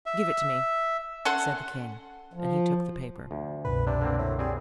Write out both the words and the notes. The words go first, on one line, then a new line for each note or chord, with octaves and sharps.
"Give it to me," said the king; and he took the paper.
E5
C#4 A4 F#5 C6
F3
D2
C2 F#2 B2 B4
C3 D4
D3 A#3 C4
A2
G3 C4 G#4